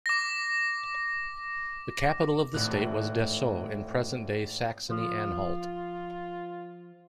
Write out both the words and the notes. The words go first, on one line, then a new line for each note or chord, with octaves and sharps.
The capital of the state was Dessau in present-day Saxony-Anhalt.
D6 A#6
G#1 A2 F#6
F3 F4